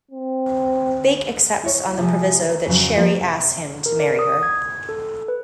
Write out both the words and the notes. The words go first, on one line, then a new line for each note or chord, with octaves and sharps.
Bake accepts on the proviso that Sherry asks him to marry her.
C4
E4 C#5
C3 F3 G3 G#3
D#3
F2 G#2 C#3 F#3
F3 A#3 C5 D#5 F5
C3 G5
A#4
D5
D#6
G#6
A4
B4